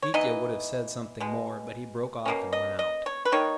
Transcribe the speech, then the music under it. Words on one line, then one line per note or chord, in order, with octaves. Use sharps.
Mitya would have said something more, but he broke off and went out.
C#5
E3 B3 D#4 D#5
B2 G#3
B2 A#3 C#4
D#5
D#5
C#5
B4
D#3 A#3 D#4 C#5